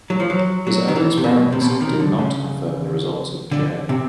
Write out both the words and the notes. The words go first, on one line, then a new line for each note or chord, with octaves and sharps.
His own experiments did not confirm the results of J.
F#3
F3
F#3
F#3
D#3
E3
C3
B2
C3
B2
C3
D#3
D3
C#3
D3
C3